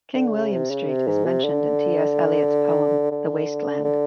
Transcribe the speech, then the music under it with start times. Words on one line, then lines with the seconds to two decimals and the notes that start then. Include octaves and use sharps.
King William Street is mentioned in T. S. Eliot's poem The Waste Land.
0.15 D3
0.33 C#3
0.52 C3
0.70 C#3
0.88 C3
1.07 G#2
1.25 C3
1.45 D3
3.11 D3
3.84 D3